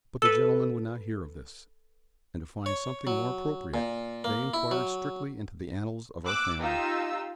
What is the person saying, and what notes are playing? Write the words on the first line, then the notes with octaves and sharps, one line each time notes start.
But the gentlemen would not hear of this; and to find something more appropriate, they inquired strictly into the annals of our family.
A4 B4 E6
C#5
F#3
A#2
A#3
E4
F#3
D6 E6 F#6
D#4 F4 G4 E6